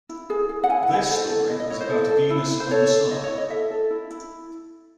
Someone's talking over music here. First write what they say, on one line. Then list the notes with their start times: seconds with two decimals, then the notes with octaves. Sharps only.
This story is about Venus and the Sun.
0.09 E4
0.30 G#4
0.49 G#4
0.64 F#5
0.69 E4 G#5
0.83 F#5
0.89 E4
0.96 D#5
1.09 A4 C5
1.29 A4
1.49 E4 D#5
1.60 D#5
1.70 E4 C#5
1.81 C5
1.90 A4
2.10 A4
2.30 E4
2.51 E4
2.60 C5
2.71 A4 C#5
2.90 A4
3.10 E4 D#5
3.24 C#5
3.31 E4
3.38 D#5
3.50 A4 E5
3.71 A4
3.91 E4
4.11 E4